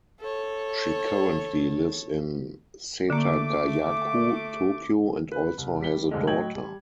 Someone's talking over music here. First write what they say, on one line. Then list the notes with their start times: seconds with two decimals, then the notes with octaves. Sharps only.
She currently lives in Setagaya-ku, Tokyo, and also has a daughter.
0.21 A4 C#5
3.10 D3 A3 A#3 D6
5.32 B4
5.58 C2
5.81 G3 B6 G7
6.11 C2 F2 A2 D3 G#3
6.27 A2 F#3 D#5 G5 G#6 F#7
6.55 G3